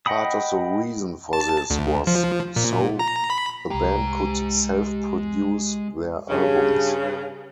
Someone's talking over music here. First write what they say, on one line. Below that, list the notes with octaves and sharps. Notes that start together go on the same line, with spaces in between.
Part of the reason for this was so the band could self-produce their albums.
D#5 F#5 G5 B5 D#6
A5
D2
F3
A#2
A#5
B5
C2 G#3 G4 A#5
G2 C#3